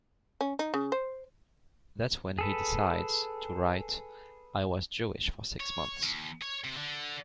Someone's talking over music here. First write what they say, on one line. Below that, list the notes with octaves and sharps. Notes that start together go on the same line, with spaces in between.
That's when he decides to write, "I Was Jewish for Six Months".
C#4
D#4
C#3
C5
G#4 A4 B4
C#5
D#2
C#5
C3
D3